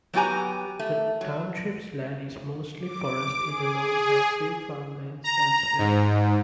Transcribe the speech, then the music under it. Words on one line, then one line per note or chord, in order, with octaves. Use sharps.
The township's land is mostly forest in the north and farmland elsewhere.
F#3 B3 F#4 G4 G#5 A#5
A3
F#3
D6
G#4
A#5
G#2